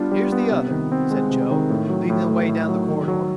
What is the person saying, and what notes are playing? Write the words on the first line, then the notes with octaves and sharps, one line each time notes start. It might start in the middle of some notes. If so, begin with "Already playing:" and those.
"Here's the other," said Joe, leading the way down the corridor.
Already playing: G3 B3 D4 F4
G3
B3
C3
D#3
C4
G#3
C3
D#3
A2
F#3
A2
A3
A2
F#3
D#3
F#3